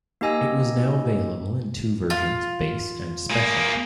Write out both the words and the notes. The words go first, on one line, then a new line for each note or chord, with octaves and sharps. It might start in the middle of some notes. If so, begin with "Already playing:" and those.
It was now available in two versions, base and Special.
A#3 D#4 G4 D#5 G#5 E6
F4
A#3 G#4